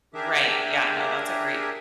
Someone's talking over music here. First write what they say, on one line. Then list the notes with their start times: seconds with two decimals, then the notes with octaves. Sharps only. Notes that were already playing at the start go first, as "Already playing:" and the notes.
Right, yeah, no, that's a great
0.14 D4 G4 G#4 A#4 E5